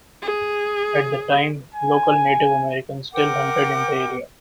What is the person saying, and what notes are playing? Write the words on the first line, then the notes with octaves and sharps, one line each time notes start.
At the time, local Native Americans still hunted in the area.
G#4
G#5
A#4 F#5 G5 D6